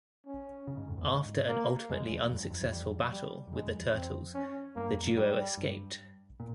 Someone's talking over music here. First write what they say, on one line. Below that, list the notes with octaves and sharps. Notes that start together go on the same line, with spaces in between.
After an ultimately unsuccessful battle with the Turtles, the duo escaped.
C#4
C#3
G#2
F2
E2
G#2
A#3
F2 G#3
E2
F2
G2
F2
E2
F2 G3
G3
F2
G2 G#3
F2
E2
F2 C4
C#4
G2 A#3
F2
G2
G3
G2
A#2